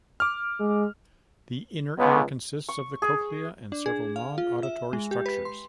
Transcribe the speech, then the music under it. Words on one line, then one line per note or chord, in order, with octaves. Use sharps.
The inner ear consists of the cochlea and several non-auditory structures.
D6 F6
G#3
C#2 B3
C#6
G#4
D4
G#4
F5
F4
E5
G#3
G4
B4
C6